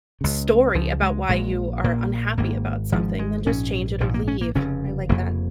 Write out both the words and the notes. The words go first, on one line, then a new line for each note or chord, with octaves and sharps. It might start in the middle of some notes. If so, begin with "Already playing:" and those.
story about why you are unhappy about something, then just change it or leave. I like that
C#2 C#3
C#2 C#3 F3
G#3
A#1 A#2 G#3
A#1 A#2 A#3
G#1 G#2 A#3
G#1 G#2 F3
G#3
A#1 G#2 C#4
A#1 G#2 F3
A#3
C#4
A#3
F1 F2 C#3 C#4
F1 F2 C#3 A#3